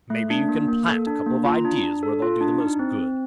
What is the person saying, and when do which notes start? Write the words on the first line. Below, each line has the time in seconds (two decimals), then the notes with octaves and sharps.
Maybe you can plant a couple of ideas where they'll do the most good.
0.10 A3
0.30 D4
0.48 A#3
0.68 A#3
0.88 A4
1.07 D4
1.26 A#3
1.45 F4 A#5
1.65 D4
1.83 D4
2.03 A4
2.22 F4
2.41 D4
2.60 D#4
2.79 C4
2.98 C4